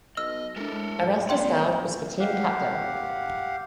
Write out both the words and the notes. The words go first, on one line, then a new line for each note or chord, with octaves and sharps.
Erastus Doud was the team captain.
B1 D#5 E6 F6
A2 G#3 D4 A4 A#4
A1 B3 A4 D5 G5 C6
G4 F5 F#5